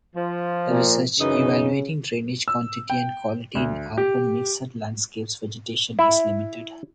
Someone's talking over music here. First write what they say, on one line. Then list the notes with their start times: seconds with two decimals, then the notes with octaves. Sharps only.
Research evaluating drainage quantity and quality in urban mixed landscapes vegetation is limited.
0.15 F3
0.69 A#2
1.19 F#2 C#3 E3 D#4
2.48 E6
2.90 G5
3.55 D2
3.98 G4
5.99 E4